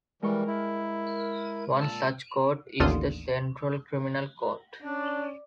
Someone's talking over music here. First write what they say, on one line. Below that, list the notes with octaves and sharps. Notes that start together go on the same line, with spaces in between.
One such court is the Central Criminal Court.
E3 G3 G#3 A#4 G5 C#6
E4
A#2 A5 E6
A1 D#2 D3 F4 C6 D#6
C#4 D4 D5